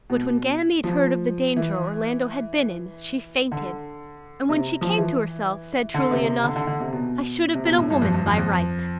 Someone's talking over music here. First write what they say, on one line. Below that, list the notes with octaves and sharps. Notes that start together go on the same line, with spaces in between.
But when Ganymede heard of the danger Orlando had been in she fainted; and when she came to herself, said truly enough, "I should have been a woman by right."
B2
F3
E3
D3
C3
F3
E3
D3
C3
C3
D3
D3
D3
C3
B2
C3
B2
A2
G2
F2
G2
F2
F2